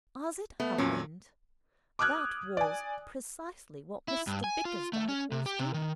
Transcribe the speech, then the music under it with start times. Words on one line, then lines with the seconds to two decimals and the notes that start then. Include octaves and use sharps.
As it happened, that was precisely what Mr Bickersdyke was doing.
0.60 A3 B3
0.78 F2 A#2 F#3 C#4
1.99 D6 D#6 F6 F#6 G#6
2.57 D5 G#5
4.08 E4
4.27 G2
4.44 G#5
4.65 F4
4.93 A3
5.09 C#4
5.32 C3
5.46 G4
5.59 C3
5.74 D#3